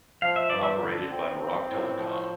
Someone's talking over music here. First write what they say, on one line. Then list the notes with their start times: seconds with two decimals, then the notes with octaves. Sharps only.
Operated by Maroc Telecom.
0.22 F3 F5
0.36 E5
0.50 G2 D5
0.63 E5
0.80 D3
1.10 C4
1.39 C4
1.68 A2
1.98 F3